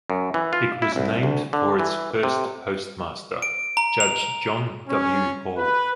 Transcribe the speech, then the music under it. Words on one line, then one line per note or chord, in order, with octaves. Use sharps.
It was named for its first postmaster, Judge John W. Hall.
F#2
E3
F4
E4
C2
D2
D3
E3
C3
D7
A#5
F7
C#4
B4